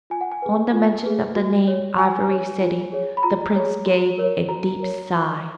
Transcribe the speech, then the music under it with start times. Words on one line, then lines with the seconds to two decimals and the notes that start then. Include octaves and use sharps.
On the mention of the name Ivory City the prince gave a deep sigh.
0.10 F4 G#5
0.21 F#5
0.32 G#5
0.42 G#4 B4
0.73 F4
1.04 G#4 B4
1.35 F#4
1.68 C#5
1.98 F#4 G#5
2.30 C#5
2.61 F4
2.92 G#4 C#5
3.17 B5
3.23 F4 A#5
3.56 G#4 C#5
3.86 F#4
4.18 A#4 C#5
4.49 F#4 A#5
4.79 A#4 C#5
5.11 F4